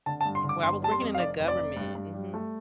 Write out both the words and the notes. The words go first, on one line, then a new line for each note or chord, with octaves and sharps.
Well, I was working in the government Mhm.
D3 A5
A5
G2
C6
D3
D6
G1 C6
G3 A5
C6
F2
F5
F1 D5
F1
D5
F1
G2
G2
G3
A3